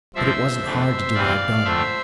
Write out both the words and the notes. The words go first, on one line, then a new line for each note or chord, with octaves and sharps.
But it wasn't hard to do what I've done.
G2 F3 C4 C5 E5
F2 E3 A3 D4
E2 E3 G3 C4 D5 F5
F2 D3 A3 D4 C5 E5